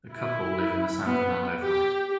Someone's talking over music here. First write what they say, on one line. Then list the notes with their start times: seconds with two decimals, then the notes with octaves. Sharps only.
The couple live in the San Fernando Valley.
0.12 E4
1.01 B3
1.61 G4